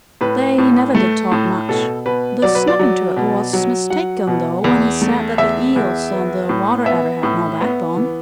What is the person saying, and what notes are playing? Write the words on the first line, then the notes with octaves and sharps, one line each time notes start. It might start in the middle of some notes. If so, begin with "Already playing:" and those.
They never did talk much. The Snapping Turtle was mistaken though, when he said that the Eels and the Water-Adder had no backbone.
A2 B4
A2
A3
A2
B2 A4
B2 B4
F#3 D5
B4
D5
F#3
B2
F#3
F#3 F#5
B2
E2
A3
E2 E5
E2
B3
A2
B3 E5
A2
B3
E3